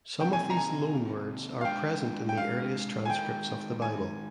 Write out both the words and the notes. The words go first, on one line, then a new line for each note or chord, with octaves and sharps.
Some of these loan words are present in the earliest transcripts of the Bible.
C3 D#3 A#3 G5
G#5
A#5
G#5
F5
G#3 D4 F4 G#4 G5
G5
F5
G#5
D#3 G#3 D#4 A#4 G5
G#5